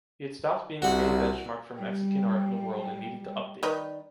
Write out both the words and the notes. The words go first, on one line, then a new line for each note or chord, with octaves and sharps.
He had stopped being the main benchmark for Mexican art in the world and needed to update.
C2 F#4 F#5
G3 G5
D#3 D#4 B4 D5